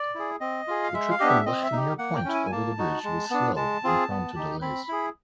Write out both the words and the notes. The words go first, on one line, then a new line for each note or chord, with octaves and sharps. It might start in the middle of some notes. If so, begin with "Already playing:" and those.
The trip from Lechmere Point over the bridge was slow and prone to delays.
Already playing: D5
E4 G#4
C4 D#5
F4 G#4
F5
G#3 E5
F5
B3 D4 G4 D#5
E5
C4 D#5
E5
D#4 G4
A#3 F#5
G5
C#4 E4
G#5
G#5
A#3 A5
D#4 F#4
G#3
B3 D4
G#3 A5
C4 F4 G#4
B3
D#4 G4
C4 B5
E4 G#4